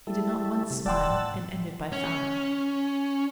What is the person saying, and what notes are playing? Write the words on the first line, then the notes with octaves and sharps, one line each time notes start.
He did not once smile, and ended by frowning.
G3 E4 A4
C3
D#1 D5 F#5 G5 A5 C6 E6
A2
C#4